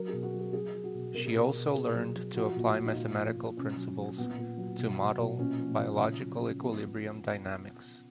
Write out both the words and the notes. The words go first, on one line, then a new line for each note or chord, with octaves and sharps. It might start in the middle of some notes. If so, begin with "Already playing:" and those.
She also learned to apply mathematical principles to model biological equilibrium dynamics.
Already playing: F#3 A#4
B2 G#4
F#4
F#3
G#4
F#3 G#4
F#3
F#4
B2
B2 A#4
G#4
B2 A#4
B2
B2 G#4
F#3
F#3
F3 F#4
A#2
A#2
D#4
A#2 F4
F3
A#2
B2 C#4
F#3
F#3
A#2 B3
A#2
F#3
B2
F#3
B2
A#2 C#4
F3
A#2
C#3
F#3
C#3
F3 B3